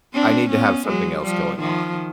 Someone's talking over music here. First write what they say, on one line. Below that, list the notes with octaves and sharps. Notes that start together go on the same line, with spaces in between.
I need to have something else going on,
C4 D4
B3 C#4
F#3 G#3
F3 G3
D#3 F3